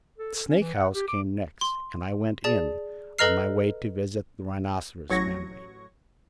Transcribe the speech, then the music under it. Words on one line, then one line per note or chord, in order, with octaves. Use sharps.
The snake-house came next, and I went in, on my way to visit the rhinoceros family.
A4
A4
C#4
E3
F#5
G4
D6
C6
G#4 D5 A5
A4 B4 D#5 A#5 F6 C7
A1 F#3 C#6 G#6 A#6